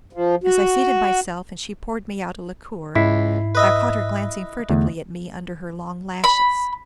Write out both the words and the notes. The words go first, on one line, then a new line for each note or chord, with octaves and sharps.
As I seated myself, and she poured me out a liqueur, I caught her glancing furtively at me under her long lashes.
F3
F#4
C#2 G#2 E4 B6 C7
B4 D#5 E5
E2 D3 A3
B5